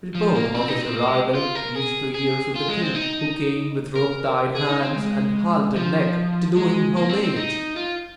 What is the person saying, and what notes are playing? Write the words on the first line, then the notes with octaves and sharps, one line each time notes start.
Report of his arrival reached the ears of the king, who came with rope-tied hands and haltered neck to do him homage.
F3
A#3
C4
D#4
C4
A#3
G#3
F4
A#4
G#4
G#4
F4
G#3
C4
D#4
A#4
G#4
D#4
C4
G#3
F3
G#3
A#3
C4
C4
D#4
F4